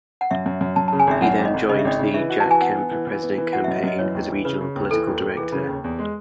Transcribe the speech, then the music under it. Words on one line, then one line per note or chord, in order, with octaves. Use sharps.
He then joined the Jack Kemp for President campaign as a regional political director.
F#5
F#2 E5
F#2
F#2
F#2 A5
A5
C#3
G#5
G#1 E5
F#2 F#5
G#1
D#5
G#1
C#3 D#5
E5
G#1 D#5
C#3
E3 E5
F#4
A5
E3 G#5
B3 F#5
B3
E3
E3
B3
E3
F#4 F#5
E5
F#2 D#5
E5
F#2 D#5
E3 C#5
D#2
E3
C#3 B4
C#3
D#2
B4
E3 A4
D#2
D#2
E3 G#4
C#3
D#2
E2
G#3